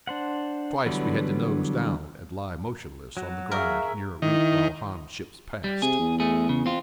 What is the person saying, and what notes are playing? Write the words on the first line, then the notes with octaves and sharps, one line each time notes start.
Twice we had to nose down and lie motionless on the ground near a route while Han ships passed.
D4 C5 F#5
D3 E3 F#3 G3 B3
F#3 F#4
G#4 A#4 E5 F5 C#6
D#3 E4
G3
C3 G#4
E2
A3 G#4
C#3
C4 F4